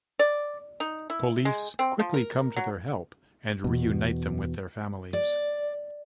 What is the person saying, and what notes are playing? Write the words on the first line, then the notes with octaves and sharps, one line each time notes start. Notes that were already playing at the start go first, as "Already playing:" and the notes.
Police quickly come to their help and reunite them with their families.
D5
D#4
E4
G#3
C4
F3
A#4
F#3
E2 B2
D5